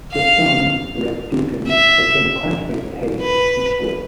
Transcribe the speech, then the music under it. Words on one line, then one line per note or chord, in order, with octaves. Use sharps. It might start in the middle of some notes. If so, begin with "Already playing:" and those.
The son, Red Dugan, had been a classmate of Hague's in school.
F5
E5
B4